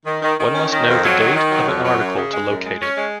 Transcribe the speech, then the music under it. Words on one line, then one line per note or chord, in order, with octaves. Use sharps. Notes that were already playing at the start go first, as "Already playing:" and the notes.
One must know the date of an article to locate it.
D#3
D#3
D#3
C#4
D#3
F2
F#3
D#3
D#3
F#3
F2
F#3
F#2
C#3
G#3
F#2
G#3
C#4
G#3